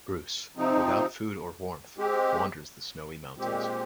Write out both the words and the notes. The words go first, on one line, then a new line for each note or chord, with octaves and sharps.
Bruce, without food or warmth, wanders the snowy mountains.
C3 F3 C4 D#4
G#3 C4 G4
A#2 G#3 C4 G4